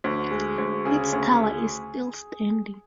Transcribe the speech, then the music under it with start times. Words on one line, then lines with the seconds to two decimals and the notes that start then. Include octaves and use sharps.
Its tower is still standing.
0.04 D2
0.31 G#3
0.58 D2
0.85 C#3 G#4
1.13 D2